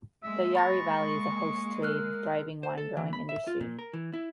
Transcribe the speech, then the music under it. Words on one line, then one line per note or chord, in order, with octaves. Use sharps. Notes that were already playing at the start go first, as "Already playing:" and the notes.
The Yarra Valley is host to a thriving wine growing industry.
G#3 A#3 E5
B5 C#6 A6 A#6
A#4 F6 F#6
C5
A4
E3
B5
E5
F4
A#2
A#4
E3
E4